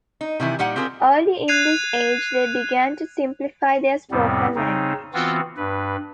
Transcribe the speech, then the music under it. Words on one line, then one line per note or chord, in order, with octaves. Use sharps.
Early in this age, they began to simplify their spoken language.
D#4
C3 D#3 E3 E4
A#2 G3 D#4 F#5
C4 F4 G4 G#4 A#4
F#6 G#6 C7 D#7 F7
F2 A2 C3 G3 B3 C4
C#3 C4 D#4
E3 B3 C4 F4 F#4
G2 B4